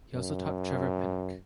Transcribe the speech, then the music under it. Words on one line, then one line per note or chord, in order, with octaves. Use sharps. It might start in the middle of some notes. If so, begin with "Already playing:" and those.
He also taught Trevor Pinnock.
F#2